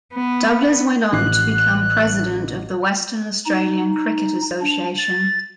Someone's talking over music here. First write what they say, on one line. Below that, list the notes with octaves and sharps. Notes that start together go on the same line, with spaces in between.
Douglas went on to become President of the Western Australian Cricket Association.
B3
A1 D6 F#6 C7
D#4
D4
A6